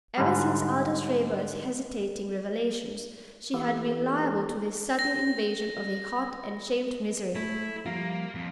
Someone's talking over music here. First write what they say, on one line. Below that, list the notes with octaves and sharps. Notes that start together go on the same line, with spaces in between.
Ever since Aldous Raeburn's hesitating revelations, she had been liable to this sudden invasion of a hot and shamed misery.
G#2 D3 G3
E3 A#3 B3 E4 G4 A4
A#6
A3 E4
F3 G3 A#3 F4
F2